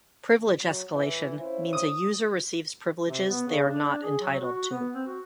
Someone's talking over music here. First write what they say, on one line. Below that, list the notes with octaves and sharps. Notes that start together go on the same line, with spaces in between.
Privilege escalation means a user receives privileges they are not entitled to.
F#3
A2 E3 E4
C#4 E4 F4 C5
D#6
C3
B3
C#3
D4
G#4
F#3
F#4
B3
C4
F#4